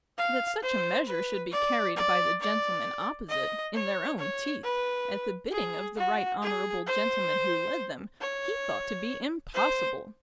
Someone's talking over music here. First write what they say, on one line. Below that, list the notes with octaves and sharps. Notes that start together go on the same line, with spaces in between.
That such a measure should be carried by the gentlemen opposite, in their own teeth, at the bidding of the right honourable gentleman who led them, he thought to be impossible.
F5
C5
B4
D5
D5
D5
D#5
C#5
C#5
B4
G#4
F#4
G#4
C5
C#5
C5